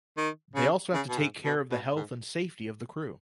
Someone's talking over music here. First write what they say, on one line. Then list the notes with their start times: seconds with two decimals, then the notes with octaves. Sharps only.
They also have to take care of the health and safety of the crew.
0.17 D#3
0.55 C#3
0.94 C#3
1.09 B2
1.19 G#2
1.45 B2
1.71 B2
1.96 G#2